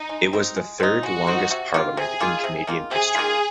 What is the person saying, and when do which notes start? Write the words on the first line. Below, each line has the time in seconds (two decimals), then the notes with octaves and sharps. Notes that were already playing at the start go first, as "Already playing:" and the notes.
It was the third longest parliament in Canadian history.
Already playing: D#4
0.09 G#3
0.33 C4 D#4
0.56 G#3
0.80 C4 D#4
1.03 G#3 F#4
1.27 C4 D#4
1.51 C3
1.74 D#3 A#3 F4
1.97 C3 G#4
2.20 D#3 A#3 F4
2.44 C3
2.67 D#3 A#3 F4
2.91 C3 G#4
3.15 D#3 A#3 F4